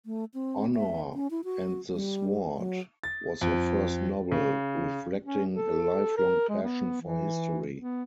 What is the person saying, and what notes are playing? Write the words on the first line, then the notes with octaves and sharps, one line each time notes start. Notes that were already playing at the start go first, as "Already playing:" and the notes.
Honour and the Sword was her first novel, reflecting a lifelong passion for history.
A3
C4
E5
C#4
E4
F#4
G3
F#3
A6
F2
C#3
C#4
A4
A#4
G#3
B3
E3
B3